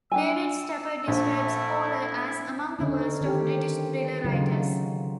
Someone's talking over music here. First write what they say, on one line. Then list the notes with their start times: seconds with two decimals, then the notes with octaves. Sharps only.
David Stafford describes Horler as "among the worst" of British thriller writers.
0.12 D4 G5 G#5 E6
1.08 A#1 A3 E4
2.79 D3 C#4 D#4
3.21 D#3 C4 G4
4.24 C#3 F#3 D#4 F4